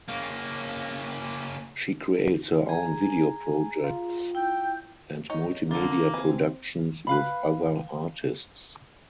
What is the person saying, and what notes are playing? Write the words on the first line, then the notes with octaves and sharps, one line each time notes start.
She creates her own video projects and multimedia productions with other artists.
C#3 A#3
G#4 G#5 A#5
F4
E4 G5
D#4 C#5
D3 A#3 F4
C4 B4 G#5
B4 F5 B5